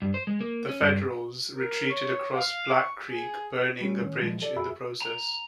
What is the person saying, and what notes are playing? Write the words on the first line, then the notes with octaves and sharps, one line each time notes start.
The Federals retreated across Black Creek burning a bridge in the process.
G2
C5
G#3
A#3
C#4
G2
A#4
C#5
F5
C#6
G#4
G3 A3 C#4
A2 D#3 C#4
A#2 E3 F3 G#3
A4 D5
F2 F#4 G#4 E5 B5 E6
A#5